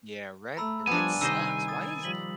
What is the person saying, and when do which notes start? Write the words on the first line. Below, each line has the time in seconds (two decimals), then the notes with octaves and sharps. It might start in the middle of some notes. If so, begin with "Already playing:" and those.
Yeah. Rent your rent sucks. Why is
0.57 A3 A#5 B5 E6
0.87 F3 G3 B3 D4 G#5
1.21 C3 D#3 G3 C5 D#5 E6 C7
1.68 D#6 A6
2.03 F3 G3 B6 F#7